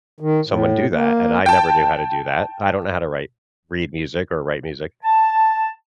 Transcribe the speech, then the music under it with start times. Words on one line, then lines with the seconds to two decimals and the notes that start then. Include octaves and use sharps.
someone do that, and I never knew how to do that. I don't know how to write read music or write music.
0.20 D#3
0.47 A2
0.92 A#3
1.46 G5 A5
5.05 A5